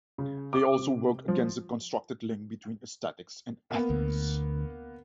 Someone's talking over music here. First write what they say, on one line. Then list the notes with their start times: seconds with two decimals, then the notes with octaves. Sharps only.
They also work against the constructed link between aesthetics and ethics.
0.18 C#3
0.53 D6
0.77 C3
1.28 F3
3.71 A#3 B3
3.90 D2 D3